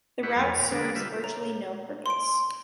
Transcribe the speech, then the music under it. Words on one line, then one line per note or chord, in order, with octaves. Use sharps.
The route serves virtually no purpose.
E4 G4 B4 F#5 B5 C#6
F2 A3 F6
B2 B5
D3 G#3 A#3 B3 D4
G3 F4 B4 E5
C#5 A#5
C6 D7